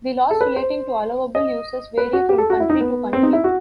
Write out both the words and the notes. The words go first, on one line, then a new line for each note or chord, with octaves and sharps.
The laws relating to allowable uses vary from country to country.
A4
B4
C5
D#5
B4
F#4
G4
A4
F#4
E4
D#4
B3
C4
D#4
E4
F#4